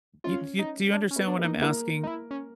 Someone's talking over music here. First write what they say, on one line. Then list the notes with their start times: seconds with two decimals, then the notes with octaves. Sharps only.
You do you do you understand what I'm asking?
0.24 C#4 F4 C#5
0.59 D#4
0.93 D4
1.11 C#4
1.16 B3 B4
1.27 D4
1.39 A#3 A#4
1.45 D#4
1.61 A#3 E4 A#4
2.03 D#4
2.07 E4
2.31 C#4